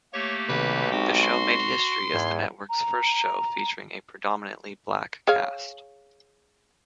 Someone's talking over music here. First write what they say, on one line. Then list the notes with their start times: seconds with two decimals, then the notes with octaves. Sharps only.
The show made history as the network's first show featuring a predominantly black cast.
0.14 A3 A#3 G4 C#5
0.49 B1 C3 D#3 B4
0.92 G#3 C4 D#4 F#4 G4
1.23 C6
2.14 E2 G#2 G#6
2.69 A#5
5.28 G#4 C#5 F5